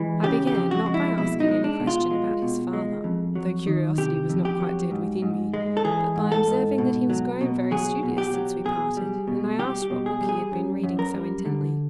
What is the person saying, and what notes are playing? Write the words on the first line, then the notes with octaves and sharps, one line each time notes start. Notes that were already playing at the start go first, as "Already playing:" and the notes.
I began, not by asking any question about his father, though curiosity was not quite dead within me, but by observing that he was grown very studious since we parted; and I asked what book he had been reading so intently.
Already playing: E3 G#3
C#3 G4
G4
F2
F#4
G#3
E4
B2 E4
D#4
G#3
D4
B2
F4
G#3
B2
G#3
F2
F#3
D#3
C3 G4
F2
G4
F#3
G#2
G#2
G#3
A4
E3 G#4
G#2
A4
G#2
B2
F#3
B2
F#3 G#4
B2
G4
F#3
B2 G#4
G3
B2
G3 G4
G4
B2
G#4
G3
G#4
F#2
F#2
A#4
G3
D3